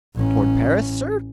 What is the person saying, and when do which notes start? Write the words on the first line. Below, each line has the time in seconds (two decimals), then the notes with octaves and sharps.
"Toward Paris, sir?"
0.15 A1 C#4